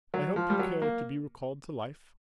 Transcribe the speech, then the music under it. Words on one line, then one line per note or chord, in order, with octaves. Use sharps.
"I hope you care to be recalled to life?"
F#3
F3
G3
F#3
A#3